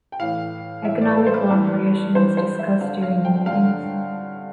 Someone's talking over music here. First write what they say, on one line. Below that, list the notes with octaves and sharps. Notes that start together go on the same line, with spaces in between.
Economic cooperation was discussed during the meetings.
G5
A2 E3 F5
A2 E3 E5
D5
B4
A4
C5
B4
G2 E3
G2 E3 C5
C5
E5
G2 D3 F5
F5
G5
G5
G2 D3 F5